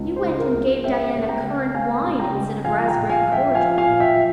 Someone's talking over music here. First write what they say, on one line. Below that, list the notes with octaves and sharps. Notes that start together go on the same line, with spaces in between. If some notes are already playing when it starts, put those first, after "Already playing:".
You went and gave Diana currant wine instead of raspberry cordial.
Already playing: C#2 C#3
C5
G#3
A#4
C#2
G#3 E5 G5
C#3
G5 A#5
G#3
G#3 F5 G#5
C#3
G5 A#5
G#3
F3 F5 G#5
G5 A#5
A#2
F5 G#5
F3
E5 G5
F3 F5 G#5
F5 G#5
A#2
E5 G5
F3